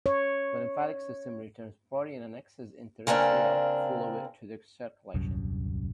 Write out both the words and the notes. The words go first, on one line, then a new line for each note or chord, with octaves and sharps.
The lymphatic system returns protein and excess interstitial fluid to the circulation.
C#5
C#3 A#3 C4 D4
D#1 C2 F#2